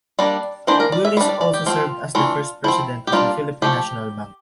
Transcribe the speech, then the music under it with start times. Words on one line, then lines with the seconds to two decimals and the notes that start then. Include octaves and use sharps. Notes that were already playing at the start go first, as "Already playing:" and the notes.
Willis also served as the first president of the Philippine National Bank.
0.19 G3 A#3 D4 D5
0.67 E3 A#3 D4 C5
0.80 A#4
0.92 D5
1.05 E5
1.17 G3 E5
1.21 D4
1.29 D5
1.41 D5
1.54 G4
1.66 F3 C4 F4
2.15 E3 A3 D4 F4
2.64 F3 C4 E4
3.07 G4
3.12 G3 A#3 D4 F4
3.62 F3 A3 G4